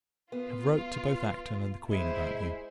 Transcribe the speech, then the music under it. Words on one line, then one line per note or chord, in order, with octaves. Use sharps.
I have wrote to both Acton and the Queen about you.
B3 F4
G#3 E4 C5